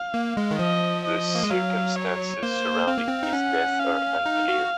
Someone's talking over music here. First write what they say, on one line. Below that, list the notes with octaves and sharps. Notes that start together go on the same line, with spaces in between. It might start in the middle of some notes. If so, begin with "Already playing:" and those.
The circumstances surrounding his death are unclear.
Already playing: F5
A#3
G#3
D#3
F3 D#5
D#5
A#3
G#3
F#3 F5
C#5
A#3 C5
C4 F5
A#3
C4
D#4
C#4 F#5
F5
D#4
F#4